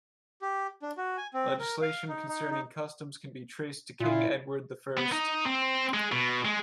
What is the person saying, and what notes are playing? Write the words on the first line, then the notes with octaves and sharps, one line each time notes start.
Legislation concerning customs can be traced to King Edward the First.
G4
D4
F#4
G#5
C4
A#4
F5
D#4
D#4
D#4
A#2 E4 F4
B3
D#4
C4
G#3
B2
G#3